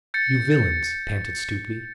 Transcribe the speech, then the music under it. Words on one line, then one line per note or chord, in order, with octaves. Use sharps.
"You villains," panted Stuteley.
G6 A6 C#7